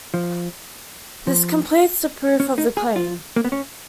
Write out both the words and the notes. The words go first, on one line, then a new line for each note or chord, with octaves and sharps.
This completes the proof of the claim.
F3
F3
C#4
D#4
G#4
F4
A#3
B3
C#4